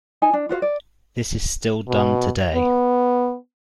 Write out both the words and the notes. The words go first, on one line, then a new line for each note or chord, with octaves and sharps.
This is still done today.
D#4 G#5 A5
D4
F4 F#4 C5 F5
D5
B2
B3